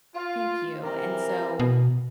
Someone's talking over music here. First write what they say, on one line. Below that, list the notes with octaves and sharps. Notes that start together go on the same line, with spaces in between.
Thank you. And so,
F4
C3 E3 A#4
B2